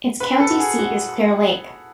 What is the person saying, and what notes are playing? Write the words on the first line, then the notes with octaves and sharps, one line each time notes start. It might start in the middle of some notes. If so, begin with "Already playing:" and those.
Its county seat is Clear Lake.
B4
A4
F#4
G#4
F#4